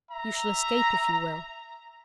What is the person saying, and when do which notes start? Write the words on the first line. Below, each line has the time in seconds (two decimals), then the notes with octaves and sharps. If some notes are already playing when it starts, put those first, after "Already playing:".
You shall escape, if you will.
0.11 E5 A#5